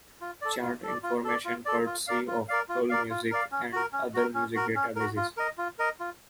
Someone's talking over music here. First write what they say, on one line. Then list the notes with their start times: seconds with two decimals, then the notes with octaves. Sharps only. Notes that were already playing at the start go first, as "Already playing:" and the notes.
Chart information courtesy of Allmusic and other music databases.
0.21 F4
0.41 A4 D5
0.62 F4
0.83 A4 D5
1.03 F4
1.24 A4 D5
1.45 F4
1.65 A4 D5
1.86 F4
2.07 A#4 D5 F5
2.28 F4
2.48 A#4 D5 F5
2.69 F4
2.90 A#4 D5 F5
3.10 F4
3.31 A#4 D5 F5
3.52 C#4
3.72 F#4 A#4
3.93 C#4
4.14 F#4 A#4
4.34 C#4
4.55 F#4 A#4
4.75 C#4
4.96 F#4 A#4
5.17 F4
5.37 A#4 D#5
5.58 F4
5.79 A#4 D#5
6.00 F4